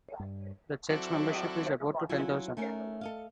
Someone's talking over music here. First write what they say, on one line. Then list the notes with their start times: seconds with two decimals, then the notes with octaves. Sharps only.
The Church's membership is about ten thousand.
0.19 G2
0.90 F#3 C4 E4 F#4 A4 D5
2.09 F#3 C#4 E4 F4
2.57 A3 C#4 D#4 A#4
3.01 A4 D#5 F5